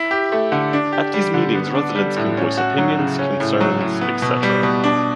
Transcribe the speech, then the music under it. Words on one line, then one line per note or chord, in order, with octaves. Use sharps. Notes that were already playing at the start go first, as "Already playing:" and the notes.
At these meetings residents can voice opinions, concerns, etc...
Already playing: E4
G4
A3
D3
D4
G4
G3
D3
B3
D4
G3
A2
C#4
F#4
F#3
C#3
C#4
A2
F#3
A2
B3
B2
G3
B2
D4